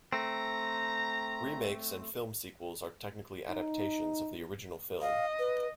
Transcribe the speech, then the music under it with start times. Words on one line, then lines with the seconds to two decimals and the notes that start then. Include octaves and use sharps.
Remakes and film sequels are technically adaptations of the original film.
0.13 A3 C4 A#5
3.50 D#4
5.01 D#5 F5
5.39 B4